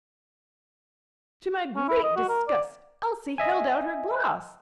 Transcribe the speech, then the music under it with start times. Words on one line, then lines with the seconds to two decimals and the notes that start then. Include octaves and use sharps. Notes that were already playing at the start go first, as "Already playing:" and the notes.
To my great disgust, Elsie held out her glass.
1.76 C#4
1.88 E4
2.03 D#5
2.16 F#4
2.29 A#4
2.48 D5
3.38 D#5 E5 G#5